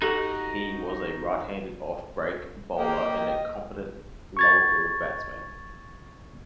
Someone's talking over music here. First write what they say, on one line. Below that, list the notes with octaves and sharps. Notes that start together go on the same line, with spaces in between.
He was a right-handed offbreak bowler and a competent lower-order batsman.
D#4 F#4 G4 A4
A#3 G4 D#5
C#6 G#6 A6